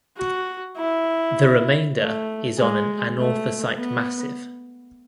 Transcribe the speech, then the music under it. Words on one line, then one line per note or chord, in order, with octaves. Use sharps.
The remainder is on an anorthosite massif.
F#4
E4
A3
G#3
A3
B3